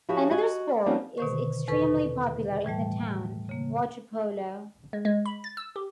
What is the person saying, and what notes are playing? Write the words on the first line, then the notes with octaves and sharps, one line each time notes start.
Another sport is extremely popular in the town - waterpolo.
F3 E4 F#4 G4 C#5
F#4 D#5 G#5
F3 A#3 C4 C#4 D#4 F#4
B2 D3 D#3 C5 C#6
E2 C3 A4 B4 C#6
A2 E3 G3 A3
C#3 A#3
G#3
G#3
B5
A6
E6
G4